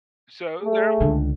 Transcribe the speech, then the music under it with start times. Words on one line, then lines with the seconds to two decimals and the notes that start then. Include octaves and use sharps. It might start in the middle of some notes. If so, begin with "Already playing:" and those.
So, there
0.62 A3 G#4
1.00 C#2 D3